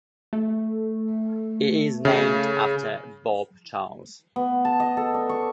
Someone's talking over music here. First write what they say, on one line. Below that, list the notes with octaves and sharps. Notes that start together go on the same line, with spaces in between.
It is named after Bob Charles.
A3
C#3
B3
A5
D#5
A4
D4
C#6